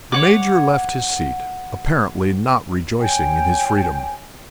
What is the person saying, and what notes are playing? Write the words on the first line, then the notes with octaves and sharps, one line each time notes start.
The Major left his seat, apparently not rejoicing in his freedom.
C#5 F#5 D6
C#5 G5 G#5